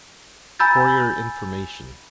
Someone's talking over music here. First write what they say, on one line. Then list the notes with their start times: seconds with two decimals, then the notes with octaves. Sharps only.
For your information.
0.59 G#5 A#5 B5 E6 G6 A6